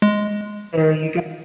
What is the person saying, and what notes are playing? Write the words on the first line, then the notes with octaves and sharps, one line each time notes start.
There you go
G#3